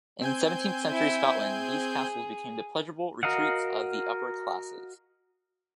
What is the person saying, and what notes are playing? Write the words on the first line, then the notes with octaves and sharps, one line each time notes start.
In seventeenth century Scotland these castles became the pleasurable retreats of the upper-classes.
C4 G#5 G6
E4
G#4
F#4 A#4 D#5 F5 F#5